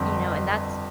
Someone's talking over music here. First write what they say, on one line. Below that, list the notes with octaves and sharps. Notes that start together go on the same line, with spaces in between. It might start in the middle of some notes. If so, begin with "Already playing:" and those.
you know, and that's
Already playing: G1 F2